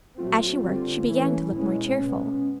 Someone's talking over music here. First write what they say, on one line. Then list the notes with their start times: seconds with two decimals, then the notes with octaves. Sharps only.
As she worked she began to look more cheerful.
0.18 A#2 F#3 A3 C4 F4
0.27 F#4
0.37 F4
0.47 F#4
0.56 F4
0.63 D3 G3 C4 F#4
0.76 F4
1.09 E3 A3 C#4 E4
1.55 B2 G#3 C#4
2.00 B2 G#3 B3 C#4